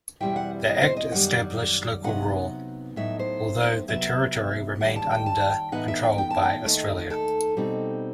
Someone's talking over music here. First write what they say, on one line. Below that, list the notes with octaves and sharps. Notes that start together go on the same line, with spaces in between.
The Act established local rule, although the territory remained under control by Australia.
E2 B2 G3 C4 E4 G5
F#5
D#5
C5
D#5
F#2 D#3 G3 F#5
C3 F#3 B3 D#4 F#5
A2 F#3 B3 D#4 E5
C5
C3 F#3 B3 E5
D#2 D#3 G3 F#5
A5
G5
A5
G5
A2 E3 B3 D#4 F#5
E5
G5
G5
A5
G5
D#2 D#3 A3 D#4
A4
B2 G3 C4 D#4